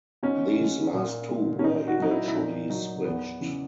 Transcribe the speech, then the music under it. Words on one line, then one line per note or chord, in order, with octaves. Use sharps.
These last two were eventually switched.
G#2 C#4
E3 G#3
A#2
G#3
C#4
A#2 D#4
F#4
F#3 D#4
E4
E4
A#2 D#4
F#3 D#4
E2 B3
C#3 E3